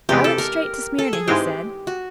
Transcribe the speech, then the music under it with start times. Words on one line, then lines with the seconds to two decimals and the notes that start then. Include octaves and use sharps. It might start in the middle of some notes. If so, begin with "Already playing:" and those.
'I went straight to Smyrna,' he said.
0.09 E2 C3 E3 G#3 G4
0.24 A4
0.38 A#4
0.99 A4
1.13 G#4
1.28 G#2 E3 G#3 C4 G4
1.87 F#4